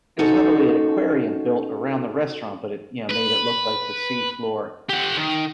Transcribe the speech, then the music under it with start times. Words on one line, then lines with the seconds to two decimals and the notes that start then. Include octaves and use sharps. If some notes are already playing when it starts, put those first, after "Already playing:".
it was literally an aquarium built around the restaurant, but it, you know, made it look like the seafloor.
0.19 C#4 D#4 F#4 A4 C5
3.11 B4
4.89 G4 F#5
5.17 D#3